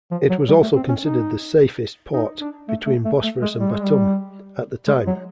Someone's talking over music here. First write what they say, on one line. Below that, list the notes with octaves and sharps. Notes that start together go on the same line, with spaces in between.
It was also considered the "safest" port "between Bosphorus and Batum," at the time.
F3
F#3
G3
A3
C4
C#4
D#4
D#4
D4
A3
A3
A3
A3
G#3
G3
G#3
G3
G#3
F#3